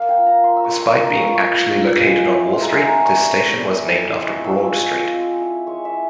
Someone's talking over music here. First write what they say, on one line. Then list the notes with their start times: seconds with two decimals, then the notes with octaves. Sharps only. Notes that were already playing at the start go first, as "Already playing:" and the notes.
Despite being actually located on Wall Street, this station was named after Broad Street.
Already playing: A#3 F5
0.09 G5
0.17 F4
0.26 A#5
0.44 A#3 C6
0.56 E6
0.64 C#6
0.69 F4 C6
0.82 A#5
0.96 F3 C#6
1.09 C#6
1.22 C4 F4 E6
1.35 C#6
1.48 F3
1.74 C4 F4
2.01 G#3
2.27 C4 E4
2.53 G#3 C6
2.62 A#5
2.73 G#5
2.79 C4 E4 A#5
3.05 G3 C#6
3.31 C4 E4
3.57 G3
3.84 C4 E4
4.10 G#3 E6
4.27 C#6
4.36 C4 F4
4.45 E6
4.62 G#3
4.89 C4 F4
5.15 G#3
5.41 E4
5.67 G#3 C#6
5.85 E5
5.93 E4